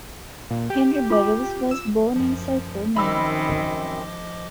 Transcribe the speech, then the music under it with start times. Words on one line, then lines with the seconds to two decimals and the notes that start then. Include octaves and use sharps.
Henry Barrows was born in Saco, Maine.
0.50 A#2
0.70 G4
1.10 F4 D6
1.71 E6
2.16 F#2 F3
2.96 F#2 D#3 F3 C4 D#5 B5 D6 E6